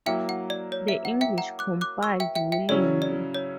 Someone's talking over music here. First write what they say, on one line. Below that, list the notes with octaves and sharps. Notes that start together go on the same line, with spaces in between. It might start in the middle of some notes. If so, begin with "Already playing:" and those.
The English complied willingly.
F#3 A#3 E4 E5 G5
F#5
D5
C#5
E5
F#5
E5 G5
F#5 A#5
D6 F#6
D6 F#6
C#6 E6
E5 G5
E5 G5
E5 G5
C#3 F#3 C#4 E4 D5
D5
C#5